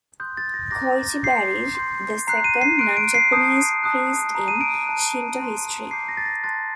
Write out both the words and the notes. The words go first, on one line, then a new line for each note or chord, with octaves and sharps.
Koichi Barrish, the second non-Japanese priest in Shinto history.
C6 D#6 F#6 G6
A6
A#6
A#5 D6 F#6 A#6
C6 G6 C7
C6 G6
A#5 F#6 C7
D#7
C7
C6 F#6 D7
D7
C7
A5 D#6 G6
A5 D#6 F#6
A#5 F#6
D#7
D7
D7
A5 D#6 F#6
C6 F#6
A#5 D6 G6 C7
A#6
A6
A#6
A5 C6 F#6 A6